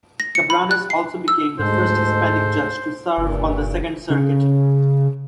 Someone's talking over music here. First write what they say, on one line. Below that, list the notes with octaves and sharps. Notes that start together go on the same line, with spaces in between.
Cabranes also became the first Hispanic judge to serve on the Second Circuit.
A#6
C#7
B5
F#6
C7
E6
D2 G#2 G#3 A4 C5
F#1 G2 A#2 E3
C#3